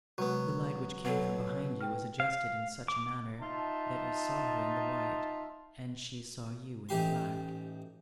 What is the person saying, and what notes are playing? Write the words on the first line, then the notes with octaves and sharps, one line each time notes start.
The light which came from behind you was adjusted in such a manner that you saw her in the white, and she saw you in the black.
C3 F#3 G#3 B3 F#4
B2 F#3 A4 F#5
B4 G5 F6
F5
D6
D#4 F4 E5 A5
A1 D#4 G4 C6